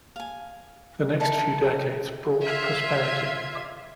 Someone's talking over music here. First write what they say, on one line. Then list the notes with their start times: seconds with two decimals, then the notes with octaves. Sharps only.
The next few decades brought prosperity.
0.16 F5 G#5
1.20 E4 A4 A#4 A5
2.43 F4 E5 C6 G#6 B6